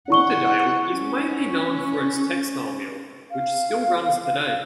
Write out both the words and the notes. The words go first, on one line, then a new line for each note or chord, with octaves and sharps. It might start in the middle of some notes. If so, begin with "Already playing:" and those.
Porterdale is mainly known for its textile mill which still runs today.
E4 F#5 C#6 G7
C#4
F5